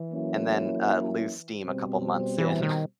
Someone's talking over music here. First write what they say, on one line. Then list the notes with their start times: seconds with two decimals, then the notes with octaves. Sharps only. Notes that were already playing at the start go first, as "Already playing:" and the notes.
and then, uh, lose steam a couple months in.
Already playing: E3
0.12 F#3 A#3 C#4 E4
1.63 B2 G3 C4
2.38 E3
2.63 D#3